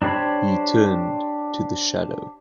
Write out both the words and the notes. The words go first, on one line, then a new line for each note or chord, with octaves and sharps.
He turned to the Shadow.
D4 G4 C5 C#5 B5